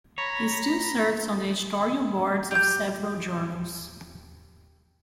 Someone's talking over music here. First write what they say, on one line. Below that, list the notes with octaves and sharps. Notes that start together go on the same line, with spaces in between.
He still serves on the editorial boards of several journals.
C#5 A#5 B5
G4 G6